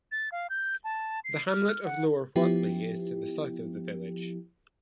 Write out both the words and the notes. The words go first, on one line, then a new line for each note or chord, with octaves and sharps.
The hamlet of Lower Whatley is to the south of the village.
A6
F5
G6
A5
C7
F6
F#5
F3 B3 E4 G4